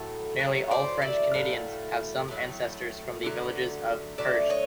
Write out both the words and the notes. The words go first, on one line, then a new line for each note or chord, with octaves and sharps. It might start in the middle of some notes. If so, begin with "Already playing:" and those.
Nearly all French Canadians have some ancestors from the villages of Perche.
Already playing: A2 F#3 A3 A4
A2 F#3 A3 C#5
C5 D5
D5 E5
A2 F#3 A3 F5
A2 F#3 A3
D3 F#3 A3
D3 F#3 A3 D5 E5
C#5 D#5